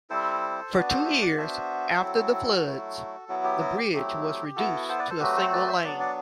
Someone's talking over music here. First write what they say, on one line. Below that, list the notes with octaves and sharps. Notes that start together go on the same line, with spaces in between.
For two years after the floods, the bridge was reduced to a single lane.
G3 C4 E4 A4 C5
B3 D4 F#4 B4 D5
A4 C5
C5 E5
D5 F#5
B3 D4 F#4 C5 E5
F#3 C4 E4 F#4 A4
F#3 A3 E4
F#3 B3 E4 F#4
G4
F#4
G4
F#3 A3 C4 E4 G4
B3 E4 F#4 A4
A4 C5
B4 D5
A4 C5
F#3 A3 C4 F#4 G4 B4
A4 C5
B4 D5
C5 E5
F#3 B3 D4 D5 F#5
D5 F#5